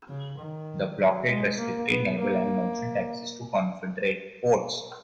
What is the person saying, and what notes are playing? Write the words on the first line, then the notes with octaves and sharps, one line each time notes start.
The blockade restricted naval and merchant access to Confederate ports.
C#3
D#3
F#3
G#3
A#3
B3
A#3